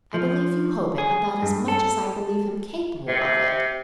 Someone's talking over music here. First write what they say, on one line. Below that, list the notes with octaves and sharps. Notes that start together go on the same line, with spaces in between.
"I believe you hope it about as much as I believe him capable of it."
F3
G#4
G2
A4
C3